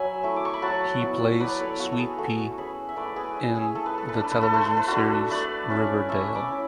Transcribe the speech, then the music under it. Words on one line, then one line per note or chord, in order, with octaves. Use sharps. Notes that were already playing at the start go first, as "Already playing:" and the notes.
He plays Sweet Pea in the television series "Riverdale".
Already playing: F#3 E5 G#5 B5
A3 E4
D6
C#6
B5
F#3 F#5 A5
B3 E4
F#3 B4 D5
A4 C#5
B3 E4 F#4
A4
G#4
A3 F#4 A4
C#4 E4 G#4 B4
E5
A3 B4 D5
G#4 B4
C#4 E4
G#4
A3 A4
B4
A4
B4
D4
A4
B4
A4
A3 B4
A4
B4
D4 F#4 A4
A3 B4 D5
C#4 E4
A3 C#5 E5
B5 D6
C#4 E4